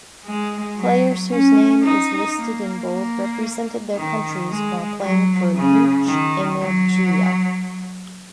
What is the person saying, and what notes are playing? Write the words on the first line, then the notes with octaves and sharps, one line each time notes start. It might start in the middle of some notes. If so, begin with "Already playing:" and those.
Players whose name is listed in bold represented their countries while playing for Luch-Energiya.
G#3
F#3
C#4
D#4
A#3
A#3
D#3
G#3
F#3
C#3
D#3
F#3